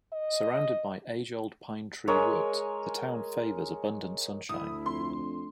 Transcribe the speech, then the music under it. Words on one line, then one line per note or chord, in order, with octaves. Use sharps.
Surrounded by age-old pine tree woods, the town favors abundant sunshine.
D#5
G#3 A#4 C#5 G#5
D2 E4 D#6
F2 C6